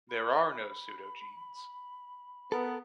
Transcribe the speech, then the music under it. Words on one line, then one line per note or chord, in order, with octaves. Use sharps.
There are no pseudogenes.
B5
B3 A4 A#4